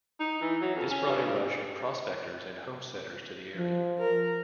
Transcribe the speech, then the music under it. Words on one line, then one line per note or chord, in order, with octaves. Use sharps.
This brought a rush of prospectors and homesteaders to the area.
D#4
E3
F#3
F2
C#4
G2
F3
A#4